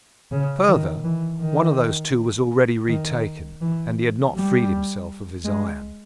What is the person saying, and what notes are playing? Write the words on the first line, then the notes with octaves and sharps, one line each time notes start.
Further, one of those two was already retaken, and had not freed himself of his iron.
C#3
D#3
E3
D#3
D#3
E3
G3
G#3